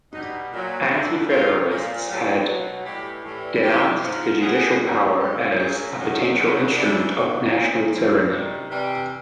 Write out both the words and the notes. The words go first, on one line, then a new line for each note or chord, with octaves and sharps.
Anti-Federalists had denounced the judicial power as a potential instrument of national tyranny.
B2 G3 D#4
A#2 F#3
F#2 D3 G3 E4
C3 D#3 F#3 F4
A#2 F3
A2 F#3 G4
B2 F#3
A2 E3 G3 G4
A2 E3 G3
C3 F3 G4
G#2 F3
B2 G3 G#4
F#2 D#3 G3
G#2 E3 G3 G4
A#2 F#3 G#4
F#2 D#3 F#3
F#2 C#3 F#3
F#2 C#3 E3 G3 D4
G2 D#3 F#3
A#2 F3 C#4
A2 F3 C4
C3 D#3 G3 D4
C3 E3 G3